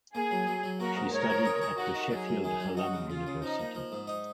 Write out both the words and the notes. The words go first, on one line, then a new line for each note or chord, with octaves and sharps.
She studied at the Sheffield Hallam University.
A#3 G#4
F#3
F#3
F#3
A#3 F#4 A#4
G#2
G#2 A#4 C#5
F3
G#4
G#4
D#3 F#4 A#4
D#3
F#3 G#4
F#2
D#3 G#4
F#3
D#4 F#4
C#3
C#3 F4
C#3
F3 D#4
A#3
F3
G#2
D#4